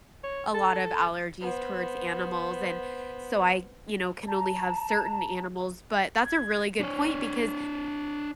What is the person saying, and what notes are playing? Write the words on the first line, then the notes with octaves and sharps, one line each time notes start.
a lot of allergies towards animals and so I, you know, can only have certain animals, but that's a really good point because,
C#5
A4
B3 C5
A5 A#5
G#6
D4 C#5